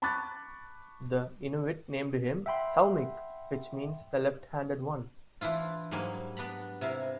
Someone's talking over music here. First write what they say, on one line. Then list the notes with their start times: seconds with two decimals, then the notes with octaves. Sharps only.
The Inuit named him "Saumik," which means "the left-handed one".
0.02 A5 B5 C#6 D6 F#6 A6
2.46 E5 F#5 G5 B5 C6
5.41 E3 D4 E4 F4
5.91 G#2 F#3 G3 A#3 G#5
6.37 B3 D4 A#5 B5
6.81 C3 E4 A#4 F5